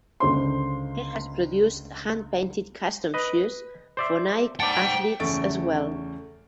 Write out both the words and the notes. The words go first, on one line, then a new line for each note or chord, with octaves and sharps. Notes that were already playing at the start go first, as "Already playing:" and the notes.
He has produced hand painted custom shoes for Nike athletes as well.
C#2 D3 C5 C6
B4 D#5
C5 D5 E5
C5 D5 F#5 G5 A5
E2 C#3 A3 C#6 A6 D7